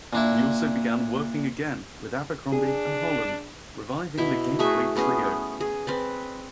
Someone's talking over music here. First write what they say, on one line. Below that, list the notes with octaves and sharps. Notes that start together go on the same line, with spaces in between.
He also began working again with Abercrombie and Holland, reviving the Gateway trio.
A#2 D4 E4
D4 G#4
B2 E4 E5
A3 F#4 G#4 E5
A3 B3 C#4 G#4
G#4
C4 B4 D5